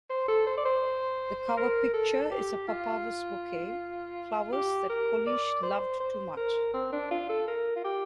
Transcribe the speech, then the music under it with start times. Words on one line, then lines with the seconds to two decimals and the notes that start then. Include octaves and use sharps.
The cover picture is a papavers bouquet, flowers that Coluche loved too much.
0.10 C5
0.28 A4
0.47 C5
0.57 D5
0.65 C5
1.57 A#4
1.93 A4
2.31 G4
2.68 F4
4.52 G4
4.89 A#4
5.26 D5
5.63 C5
6.00 C5
6.37 A#4
6.74 C4
6.92 D4
7.11 F4
7.29 A4
7.47 A#4
7.76 F4
7.84 G4